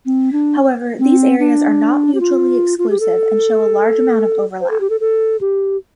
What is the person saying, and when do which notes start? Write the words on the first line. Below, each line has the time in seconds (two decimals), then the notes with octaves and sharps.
However, these areas are not mutually exclusive and show a large amount of overlap.
0.06 C4
0.32 D4
0.99 C4
1.40 D4
2.15 G4
2.20 F4
2.78 F4
2.89 G4
3.00 A4
4.61 C5
4.70 A4
4.80 G4
4.90 A4
5.00 A4
5.41 G4